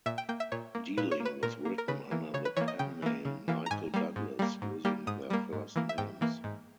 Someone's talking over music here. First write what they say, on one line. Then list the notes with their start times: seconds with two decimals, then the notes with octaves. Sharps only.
"Dealing", was written under the pen name 'Michael Douglas', using their first names.
0.06 A#2 E5
0.18 G5
0.29 A#3 G5
0.40 E5
0.52 A#2 C#5
0.75 A#3
0.98 A#2 B4
1.12 C#5
1.20 A#3
1.25 B4
1.43 A#2 A#4
1.65 A#3
1.78 A#4
1.88 C#3 B4
2.11 E3 A#3
2.34 C#3 C#5
2.45 B4
2.57 E3 A#3 C#5
2.68 D#5
2.79 C#3 G5
3.02 E3 A#3
3.25 C#3
3.48 E3 A#3
3.66 A#5
3.71 G#2 G#5
3.94 G3 A#3
4.16 G#2
4.39 G3 A#3
4.62 G#2
4.85 G3 A#3
5.07 G#2 D#6
5.30 G3 A#3
5.53 G#2
5.76 E3 A#3
5.89 E5
5.98 G#2 G5
6.21 E3 A#3
6.44 G#2